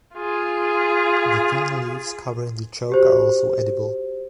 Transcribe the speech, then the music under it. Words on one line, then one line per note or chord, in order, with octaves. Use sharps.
The thin leaves covering the choke are also edible.
F4 G#4
F#4 G4 C5